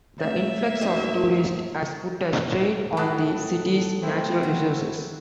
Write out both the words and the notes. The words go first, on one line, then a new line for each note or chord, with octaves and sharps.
The influx of tourists has put a strain on the city's natural resources.
A3 B4 C#5 E5
F#2 D#3 A#3
A2 F#3 A5 D#6 F#6
A3 C4 E4
F#3